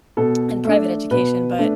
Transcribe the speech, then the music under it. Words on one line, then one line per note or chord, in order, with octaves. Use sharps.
in private education, but
B2 A4
A3 D4
B2 B4
A3 D4